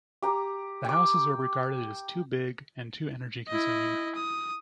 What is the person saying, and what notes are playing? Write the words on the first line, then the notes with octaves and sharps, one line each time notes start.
The houses were regarded as too big and too energy consuming.
G4 A#5
G5 D6
E4 D#5
D#6